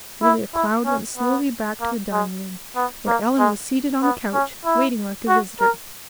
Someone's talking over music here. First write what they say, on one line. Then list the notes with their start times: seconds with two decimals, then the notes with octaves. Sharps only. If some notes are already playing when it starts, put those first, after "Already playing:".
Julia Cloud went slowly back to the dining-room, where Ellen was seated on the couch, waiting like a visitor.
0.23 E4
0.54 E4
0.86 C#4
1.17 B3
1.81 A#3
2.12 G#3
2.76 B3
3.07 A#3
3.39 G#3
4.02 B3
4.33 C#4
4.65 E4
5.28 F#4
5.61 A#4